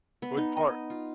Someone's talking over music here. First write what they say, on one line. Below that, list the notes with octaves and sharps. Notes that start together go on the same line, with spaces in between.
What part
B3
D#4
D#5
F4